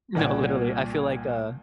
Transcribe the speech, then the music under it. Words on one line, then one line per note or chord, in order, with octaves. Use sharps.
No, literally. I feel like, uh
C2 A#2 D5 F#5 G5 G#6